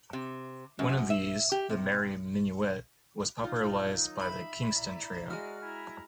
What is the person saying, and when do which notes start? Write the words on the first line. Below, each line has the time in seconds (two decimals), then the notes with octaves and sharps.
One of these, "The Merry Minuet", was popularized by the Kingston Trio.
0.13 C3
0.79 F#2
1.10 E5
1.52 G4
1.69 C3
3.44 D#3 F#3 D#4 F4
4.21 E5 B5
4.69 E4 D5 A#5
5.30 G#3 F#4 F6
5.61 E4 G#5 A#5 B5